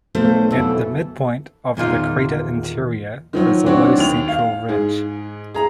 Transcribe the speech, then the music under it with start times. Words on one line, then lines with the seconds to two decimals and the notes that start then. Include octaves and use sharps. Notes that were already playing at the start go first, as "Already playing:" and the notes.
At the midpoint of the crater interior is a low central ridge.
0.15 B1 A3 A#3 C5
0.51 F2 B2 E3 A4
1.77 E2 A#2 D#3 F4
3.33 D#3 F3 F#3
3.66 E3 C4 D4 F#4 C#5
3.98 D#2 F7
4.28 F5
4.69 G#2 G#4
5.54 G#4 A#5